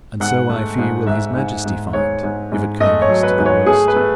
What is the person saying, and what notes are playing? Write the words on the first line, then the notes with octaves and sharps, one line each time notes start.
And so I fear will his majesty find--if it conies to the worst.'
G#2 F#5
A3
G#2
G#2 E5
G#2
G#2
G#2 C#5
G#2
G#2
A3 D#5
C#5
F#3
B4
G#2
C#5
A3 G#4
B4
A3